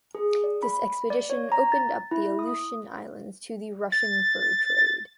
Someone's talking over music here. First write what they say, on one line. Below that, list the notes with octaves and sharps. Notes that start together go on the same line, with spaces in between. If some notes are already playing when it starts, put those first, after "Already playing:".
This expedition opened up the Aleutian Islands to the Russian fur trade.
G#4
D5
B5
D5
C#5
A#5
A6
E4
D#6
A6